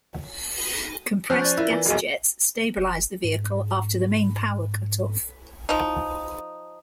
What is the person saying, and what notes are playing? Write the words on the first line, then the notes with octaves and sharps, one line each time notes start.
Compressed gas jets stabilized the vehicle after the main power cutoff.
F3 C#4 F#6 G6
D5 A6
E4 F4 A#4 E5
E3
F1 B1 F#4 G#4 G#5
F#1
G#2
F3 D#4